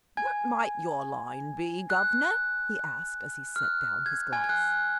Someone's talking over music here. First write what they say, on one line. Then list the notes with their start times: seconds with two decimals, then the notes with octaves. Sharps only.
"What might your line be, guvnor?" he asked as he set down his glass.
0.17 G#5 G#6
1.90 F#6
3.56 F6
3.63 F#6
4.06 G#6
4.33 G#5 G#6
4.44 G#6
4.49 F#6